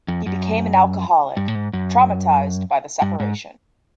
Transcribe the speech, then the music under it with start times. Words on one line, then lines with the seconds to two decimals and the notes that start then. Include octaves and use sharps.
He became an alcoholic, traumatized by the separation.
0.08 F2
0.26 F#2
1.37 G2
1.48 A2
1.55 G#2
1.73 F#2
3.02 G2
3.20 G#2